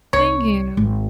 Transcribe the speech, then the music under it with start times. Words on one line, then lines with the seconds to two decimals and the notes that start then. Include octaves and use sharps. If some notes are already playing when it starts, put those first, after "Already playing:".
Thank you.
0.13 C2 C#5
0.77 G#1